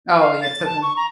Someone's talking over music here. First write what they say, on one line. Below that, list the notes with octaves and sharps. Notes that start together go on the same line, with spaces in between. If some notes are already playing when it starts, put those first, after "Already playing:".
Oh yeah, to them
F5
A6
A5
C#6
A#5